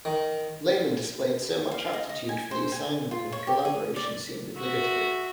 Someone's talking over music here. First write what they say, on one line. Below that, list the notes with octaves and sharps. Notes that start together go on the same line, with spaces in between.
Layman displayed so much aptitude for the assignment that a collaboration seemed obligatory.
D#3
F5
D#5
D#5
G#5
C5
G#5
F4
C#5
G4
G#4
D5
F#4 E5